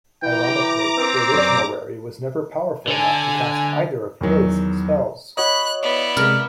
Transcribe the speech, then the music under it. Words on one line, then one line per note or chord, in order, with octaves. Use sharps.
Ironically, the original Rary was never powerful enough to cast either of "his" spells.
E3 G5 A#5 D6
C4 A#4 B4
F#2 G4 A#4 D5
D3 A4 G#5
E2 D#3 F#3
F#4 C#5 D#5 B5 F#6
B3 E4 D5
C3 G#3 A#4